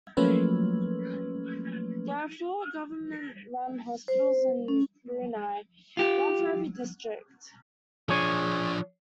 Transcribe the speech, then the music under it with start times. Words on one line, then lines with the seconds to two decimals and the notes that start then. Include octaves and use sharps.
There are four government-run hospitals in Brunei, one for every district.
0.17 F3 F#3 A3 A#3 C#4 B4
4.08 C5
4.68 C#4
5.97 F4 G4
8.09 F3 D4 G#4 C#5